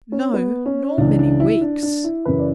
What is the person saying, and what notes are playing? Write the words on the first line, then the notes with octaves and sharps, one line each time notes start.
"No--nor many weeks."
C#4
B3
C#4
C#2 C#3 E3 D4
D4
E4
D4
D4
E4
F#2 C#3 E3 B4
D5